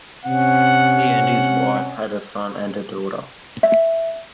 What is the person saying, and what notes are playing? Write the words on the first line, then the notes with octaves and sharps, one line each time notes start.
He and his wife had a son and a daughter.
C3 C4 C#4 F#5
E5